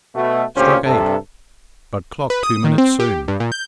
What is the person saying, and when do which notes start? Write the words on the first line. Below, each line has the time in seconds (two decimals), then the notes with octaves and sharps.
"Struck eight; but clock two minutes soon."
0.15 B2 A3
0.56 D2 A#2 C#4 F4 G4 C5
0.86 G2 C3 A4
2.30 B4
2.43 D#6
2.64 D#3
2.78 C4
3.00 G4
3.28 G2
3.40 A#2
3.52 G6